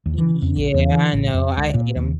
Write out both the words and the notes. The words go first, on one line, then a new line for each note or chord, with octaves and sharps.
Yeah, I know, no, I hate ‘em.
D#2
E3
F2
A#1
E2
E3
A1
F2
C#2
A#2
D#2